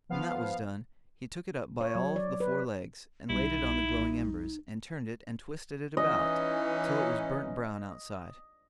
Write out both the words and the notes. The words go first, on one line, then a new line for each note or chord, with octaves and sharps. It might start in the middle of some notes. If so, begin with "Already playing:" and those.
When that was done, he took it up by all the four legs, and laid it on the glowing embers, and turned it and twisted it about till it was burnt brown outside.
F3 B3 F5
C#5
F#3
D5
B4
B1 G3 D#4 E4
E3 C#4 D#4 D#5